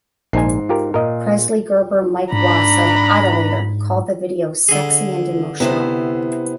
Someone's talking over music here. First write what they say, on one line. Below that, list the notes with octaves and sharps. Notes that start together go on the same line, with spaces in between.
Presley Gerber Mike Wass of "Idolator" called the video "sexy and emotional".
A#1 G#2 D#4 G#5 C7
F4 G4 A#4
A#2 A#4 D#5
G#2 D4 A#5 B5
D3 G#4
C3 B3 E4 C5